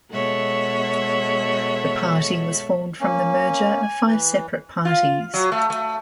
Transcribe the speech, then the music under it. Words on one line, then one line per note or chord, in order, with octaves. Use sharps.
The party was formed from the merger of five separate parties.
B2 G#3 A4 C#5 E5 F#5
A#3 C#4
G#5
E3
F4
F#3
A3
A3